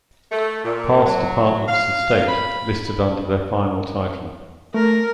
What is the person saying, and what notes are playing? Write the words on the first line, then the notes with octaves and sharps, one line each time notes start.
Past Departments of state, listed under their final title.
A3
A#2
F#3
F5
B5
A3 A#4